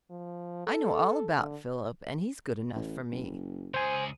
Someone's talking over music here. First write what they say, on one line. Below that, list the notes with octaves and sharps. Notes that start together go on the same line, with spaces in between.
"I know all about Philip, and he's good enough for me."
F3
A4
D3
A1
F#1
C#2 G#4 C5 G#5